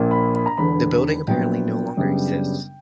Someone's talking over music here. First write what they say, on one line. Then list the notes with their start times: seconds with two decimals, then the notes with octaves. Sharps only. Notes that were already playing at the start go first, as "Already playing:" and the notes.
The building apparently no longer exists.
Already playing: A#1 A#2 A#3
0.11 B5
0.35 B5
0.46 A#5
0.57 E1 E2 D3 B5
1.27 A#1 A#2 F#3 B3 G5
1.97 F#2 C#3 G3 B3 D4